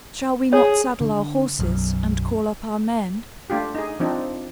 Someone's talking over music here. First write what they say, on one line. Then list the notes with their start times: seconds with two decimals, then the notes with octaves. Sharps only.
"Shall we not saddle our horses, and call up our men?"
0.53 G#4 C#5
1.01 D3
1.59 B1 F#2
3.50 A3 D4 F4 G4
3.75 D#4 G#4
4.00 F3 C4 D4 D#4